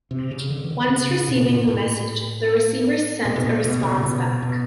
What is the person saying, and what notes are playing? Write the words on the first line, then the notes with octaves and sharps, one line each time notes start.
Once receiving the message, the receiver sends a response back.
C3
C#3
D3
E3
D#3
C#3
C#3
B2
A#2
A2
A#2
B2
A#2
B2
C#3
A#2
B2
B2